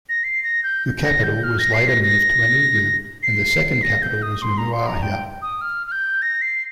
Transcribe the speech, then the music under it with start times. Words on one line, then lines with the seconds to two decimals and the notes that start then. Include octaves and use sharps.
The capital was later moved to Enugu and the second capital was Umuahia.
0.09 A#6
0.24 C7
0.43 A#6
0.63 G6
1.04 A#6
1.23 G6
1.44 F6
1.59 A#6
1.74 C7
1.88 A#6
2.04 A#6
3.23 C7
3.83 A#6
4.02 G6
4.22 D#6
4.42 C6
4.58 A#5
4.72 C6
4.87 A#5
5.02 G5
5.42 D#6
5.61 F6
5.87 F6
5.92 G6
6.22 A#6
6.42 C7